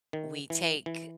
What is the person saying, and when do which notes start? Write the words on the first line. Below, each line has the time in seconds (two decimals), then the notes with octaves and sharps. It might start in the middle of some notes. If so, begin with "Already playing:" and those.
we take
0.13 D#3
0.50 E3
0.86 E3